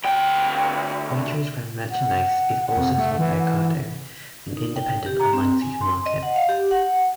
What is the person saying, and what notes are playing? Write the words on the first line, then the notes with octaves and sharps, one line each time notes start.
Waitrose brand merchandise is also sold by Ocado, an independent online supermarket.
D2 G5
F#5
F2
A3
E3
D#4
G5
G4
A#5
C4
G#5
C6
D#5
F#5
F5
G4
F#5